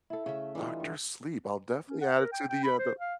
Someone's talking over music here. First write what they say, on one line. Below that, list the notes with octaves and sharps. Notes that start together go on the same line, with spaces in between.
Doctor Sleep, I'll definitely add it to the, uh, the
E4 A4
C#3 A3 A4 E5
E3 G3 D4 D#4 F4
G2 D3
C#4
F#5
A#4
G5
G5
B5
C5
F5